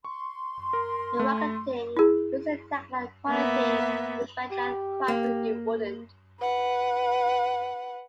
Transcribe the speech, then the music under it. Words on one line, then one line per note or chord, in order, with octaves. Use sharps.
The marketing uses the tagline "quality you'd expect at prices you wouldn't".
C6 C#6
A#4
A3
E4 G#4
A#3 B3 E5
G4
A#3
B4 F#5